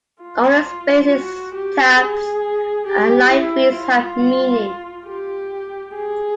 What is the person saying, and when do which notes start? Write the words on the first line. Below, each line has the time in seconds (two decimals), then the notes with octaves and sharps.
Only spaces, tabs and linefeeds have meaning.
0.22 F4
1.11 F#4
1.54 G4
1.99 G#4
2.87 G4
3.30 E4
3.74 F4
5.07 G4
5.94 G#4